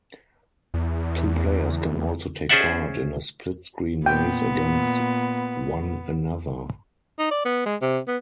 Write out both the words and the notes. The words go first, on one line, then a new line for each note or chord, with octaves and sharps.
Two players can also take part in a split-screen race against one another.
E2
C#4 G#4 C5 D5 E5 F#5
A#2 B3 G5
D#4
D5
B3
G#3
C3
B3